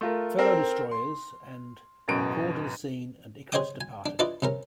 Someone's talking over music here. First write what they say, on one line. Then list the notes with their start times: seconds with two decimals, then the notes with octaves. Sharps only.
Fellow destroyers and were called to the scene, and "Icarus" departed.
0.01 A3 F4 A#4
0.38 C4 A4 A#4 C5
0.91 C6
2.08 A1 F#2 B2 D7
3.52 G#4 C5 C#5 D#5 G5 D#6
3.81 G#5
4.06 D4
4.19 D4 E4 F4 B4 D5 D#5
4.42 C3 C#4 A#4